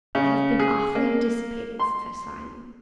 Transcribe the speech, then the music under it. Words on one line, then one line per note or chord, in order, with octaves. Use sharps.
'I have been awfully dissipated since I saw you.'
C#3
G#4
A#3
C6